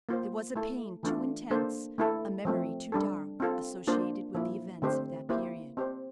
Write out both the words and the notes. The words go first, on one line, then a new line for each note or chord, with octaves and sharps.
There was a pain too intense, a memory too dark, associated with the events of that period.
A#3 F4 C5
A3 E4 A4
E3 A3 D4 F4
A#3 D4 A4 C5
A3 E4 A4
F3 A3 C4
G3 D4 A4
C4 F4 A4
A#3 D4 F4 C5
F3 A#3 E4
D3 A3 C4 G4 C5
A#3 E4 G4 C5
C4 G4 C5